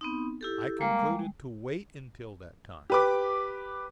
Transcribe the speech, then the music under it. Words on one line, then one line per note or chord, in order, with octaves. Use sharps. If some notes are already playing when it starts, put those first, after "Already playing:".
I concluded to wait until that time.
B3 C4 D#4
E4 G4 A4
G3 G#3 A#3
G4 B4 D6